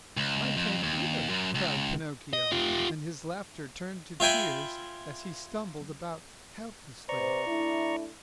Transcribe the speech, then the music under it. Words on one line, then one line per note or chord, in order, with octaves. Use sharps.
"I can't either," cried Pinocchio; and his laughter turned to tears as he stumbled about helplessly.
C#2
F2
D#2
F#2
C#2
D#5
F4 G4
F4 E5 G5 G#5 B5
C3 B4 C5 D5 A#5 C#6
A3 D4 E4